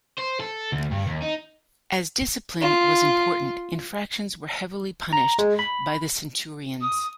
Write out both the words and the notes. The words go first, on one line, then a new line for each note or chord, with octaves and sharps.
As discipline was important, infractions were heavily punished by the centurions.
C5
A4
D2
G2
D#2
D#4
F4
A#5
G#3
B5
D#6